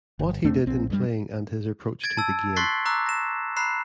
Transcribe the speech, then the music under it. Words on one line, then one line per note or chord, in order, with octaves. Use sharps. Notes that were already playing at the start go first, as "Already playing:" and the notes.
What he did in playing and his approach to the game.
G1
F2 A3 C4 D4
A#1 C4
G2 G3
G#6 A6 D7
A5 E6
C6 C#6 F#6 A6 B6 C7
A#5 C#6 D6 E6 F#6
A#6 E7
A#5 B5 F#6 C7 E7